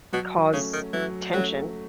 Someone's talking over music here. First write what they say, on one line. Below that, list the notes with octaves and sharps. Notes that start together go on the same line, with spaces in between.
cause tension.
B2 F#3
C#3 A3 C#4
D#3
E3 F#3
F#3 A3 C#4